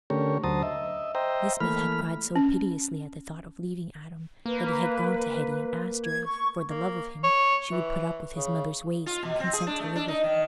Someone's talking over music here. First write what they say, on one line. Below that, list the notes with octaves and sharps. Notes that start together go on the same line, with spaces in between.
Lisbeth had cried so piteously at the thought of leaving Adam that he had gone to Hetty and asked her if, for the love of him, she would put up with his mother's ways and consent to live with her.
D3 A3 C#4 G4 A#4 C#5
D2 F#3 C5 A5 A#5 D#6
D#5 E5
C5 D#5 E5 G5 A#5
E3 A3 A#3 B5 F6
C#4
A#3 B4
G#6
C#6
A#3
C#5
E3
C#3
F4
B2
C4
G#4
D4
A3
D4
D#4
D#3